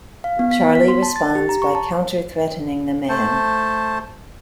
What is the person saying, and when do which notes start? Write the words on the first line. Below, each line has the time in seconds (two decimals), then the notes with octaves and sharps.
Charlie responds by counter-threatening the man.
0.24 F5
0.39 B3
0.51 B6
0.63 B3
0.75 B6
0.88 C6
1.03 A5
1.16 A6
1.35 G4
1.49 A#5
1.62 C#6
1.75 A5
3.09 A3 C5 A5